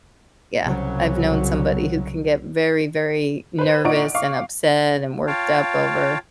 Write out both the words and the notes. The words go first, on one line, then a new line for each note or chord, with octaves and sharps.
yeah, I've known somebody who can get very, very nervous and upset and worked up over
C2 C#3 F#3
B4 C5
A#2 D#4 D5 F#5 C#6 D7
F5 C#6 D6
F4 C#5 F5 G5 A5